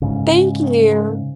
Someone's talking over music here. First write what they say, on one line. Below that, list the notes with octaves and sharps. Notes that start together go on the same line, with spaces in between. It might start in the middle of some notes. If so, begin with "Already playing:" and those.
Thank you.
G#2 C#3